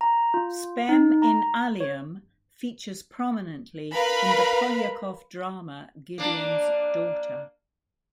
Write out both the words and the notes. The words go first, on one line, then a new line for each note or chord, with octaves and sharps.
"Spem in alium" features prominently in the Poliakoff drama "Gideon's Daughter".
A#5
F4
D#4
A#5
C#5
A#4 B4 F5 B5
A#3 D4